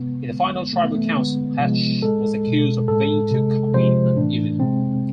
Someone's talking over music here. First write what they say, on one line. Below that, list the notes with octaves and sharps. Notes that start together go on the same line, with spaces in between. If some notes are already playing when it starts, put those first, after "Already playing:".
In the final tribal council, Hatch was accused of being too cocky and evil.
Already playing: C3 G#3 B3
D3 G#3
C3 E3 A3
B3
A3
A3
D3 G#3 B3
C3 F3 G#3
A2 G#3 A4
B2 G#3
A2 G#3 A4
C3 G#3
C3 F3 G#3 C5
A2 E3 A3 D4
C3 G#3 C4